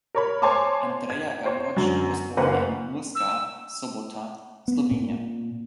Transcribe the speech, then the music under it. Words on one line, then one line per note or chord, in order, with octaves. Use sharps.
Andreja Gomboc was born in Murska Sobota, Slovenia.
A#4 C#5 B5
C5 C#5 G#5 A5 C6 D6
G#6
C5 C#5
F#2 D3 F#3
F#1 A#3 B4 C5 F#5
E6
B3
A#2